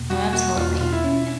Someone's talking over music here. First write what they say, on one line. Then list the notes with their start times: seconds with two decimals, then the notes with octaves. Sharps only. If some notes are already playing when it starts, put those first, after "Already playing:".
Oh, absolutely. Yeah.
Already playing: E2 B2 A#3
0.10 G3 F#4
0.33 A#3 F#4
0.57 E2 F4
0.80 B2 F4
0.92 E4
1.04 C#4